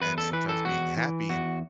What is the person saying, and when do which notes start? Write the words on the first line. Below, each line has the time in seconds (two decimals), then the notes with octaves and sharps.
and sometimes being happy and
0.01 E2 B4
0.18 A4
0.33 E3 B4
0.49 A4
0.65 E2 F#4
0.97 E3
1.29 E2 F#4